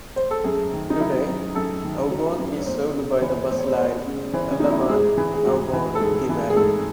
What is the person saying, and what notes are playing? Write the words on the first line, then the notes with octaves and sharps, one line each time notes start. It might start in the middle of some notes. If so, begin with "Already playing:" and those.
Today, Aubonne is served by the bus line Allaman - Aubonne - Gimel.
C5
A4
F#2 G#4
D#3
D#4
F#3 E4
F#2
F#2 A4
D#3
F#3
F#2
C#5
E2 C5
C#3
C5
E3 C#5
E2 C5
C#5
C5
E2 C5
C#3
E3 C5
C#4
E2 D#4
E4
F#4
G#2 G#4
E3
G#4
G#2 F#4
E3
A4
G#2 G#4
E3
G#4
G#2 A4